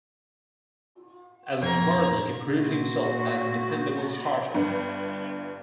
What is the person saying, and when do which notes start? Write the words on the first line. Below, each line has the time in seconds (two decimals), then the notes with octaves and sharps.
As a Marlin, he proved himself as a dependable starter.
1.62 F2 A#5 G#6
2.54 A#2 F#4
4.54 G1 G2